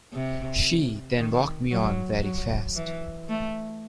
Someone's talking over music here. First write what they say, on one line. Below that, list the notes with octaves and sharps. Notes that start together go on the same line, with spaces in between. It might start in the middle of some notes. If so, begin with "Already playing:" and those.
She then walked me on very fast.
C3
D#3
F#3
F#3
E3
A3